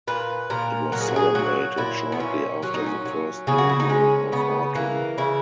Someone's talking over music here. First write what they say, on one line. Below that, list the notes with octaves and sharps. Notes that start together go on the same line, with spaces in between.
It was celebrated shortly after the first new moon of autumn.
A#2 B4
A#2 A#4
F#3 A#4
G#4
F#4
G#4
F#3 F#4
A#2 E4
B3
A#2 C#4
F#3 C#4
D#4
C#4
F#3
C#3 G#4
F#4
E4
D#4
G#3 C#4
C#3 B3
E3 A#3
C#3 E4